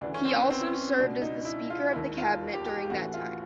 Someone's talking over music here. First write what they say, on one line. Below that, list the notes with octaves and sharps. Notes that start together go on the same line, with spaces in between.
He also served as the speaker of the cabinet during that time.
D2 C#3 E3 D4
C#4
C4
B3
C4
C#4
C#2 B2 D4
D#4
E4
F4
E1 D#2 D#3 E4
F4
G4
G4
G4
A1 A2 E3 F#4
F4